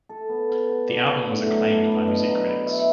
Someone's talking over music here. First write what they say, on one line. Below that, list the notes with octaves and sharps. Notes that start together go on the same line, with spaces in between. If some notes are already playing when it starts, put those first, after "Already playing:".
The album was acclaimed by music critics.
A4
B3
B3
F#4
D4
F#4
A2
F#3
D4
B4
B2
F#3
B4
E5